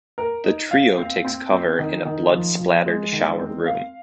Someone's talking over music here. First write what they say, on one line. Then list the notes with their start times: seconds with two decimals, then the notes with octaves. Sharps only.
The trio takes cover in a blood-splattered shower room.
0.18 A#4
0.44 D#4
0.71 F5
0.97 C4
1.25 C4
1.51 C4
1.79 D#3
2.05 D#3
2.32 F3
2.59 F3
2.86 G#3
3.12 D#3
3.39 C4
3.66 F5